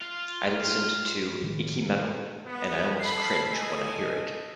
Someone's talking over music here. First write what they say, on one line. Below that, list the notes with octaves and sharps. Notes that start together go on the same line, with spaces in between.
I listened to "Icky Mettle", and I almost cringe when I hear it.
F4
A2 D#3 F3 G#3
B3
A4 B5 C7
A4 D#5 G#5